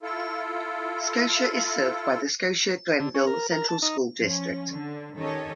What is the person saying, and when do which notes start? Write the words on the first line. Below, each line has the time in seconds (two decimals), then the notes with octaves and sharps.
Scotia is served by the Scotia-Glenville Central School District.
0.03 E4 F4 A4
3.00 D3
3.15 C#4
3.27 A#4
3.52 A#4
3.69 A5
3.82 D#4
4.18 F3 C#4
4.70 D3
5.16 D#3 C#4 G4 A4 C#5 D#5